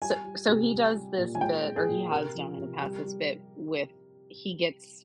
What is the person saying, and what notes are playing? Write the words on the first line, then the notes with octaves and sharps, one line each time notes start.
So so he does this bit or he has done, in the past, this bit with he gets
G3 G#5
G3
C3
G3
G3
A#2
G#5
G#3 G5
G#3
G#4
A#2
C3 A#4
F3
C3
G3
G3